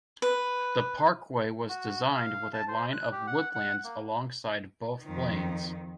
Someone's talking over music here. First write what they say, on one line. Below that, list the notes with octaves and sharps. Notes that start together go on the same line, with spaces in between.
The parkway was designed with a line of woodlands alongside both lanes.
B4
F#4
F5
A5
C5
F#6
G4
F#5
F#5
A#3
F2 D#3